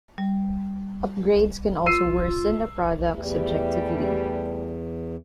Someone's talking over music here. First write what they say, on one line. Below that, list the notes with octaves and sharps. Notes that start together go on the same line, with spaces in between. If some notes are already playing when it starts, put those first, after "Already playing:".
Upgrades can also worsen a product subjectively.
G3
F4 E6 C7 D#7
E2 E3 G3 A3